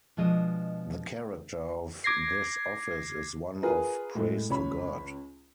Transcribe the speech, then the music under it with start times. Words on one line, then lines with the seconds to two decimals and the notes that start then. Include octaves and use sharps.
The character of this office is one of praise to God.
0.17 B2 F3 G#3 D4 D#5
2.04 D6 G#6 A#6 C7
3.63 F4 G#4 A#4 B4
4.15 A2 G#3 A3
4.50 C#2 C#5 B5